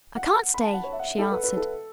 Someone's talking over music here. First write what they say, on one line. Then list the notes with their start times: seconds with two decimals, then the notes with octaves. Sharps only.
"I can't stay," she answered.
0.16 F#5
0.54 B5
0.63 A5
0.74 F#5
0.83 C#5
0.92 E5
0.99 F#5
1.05 E5
1.19 A4
1.31 B4
1.43 B4
1.57 A4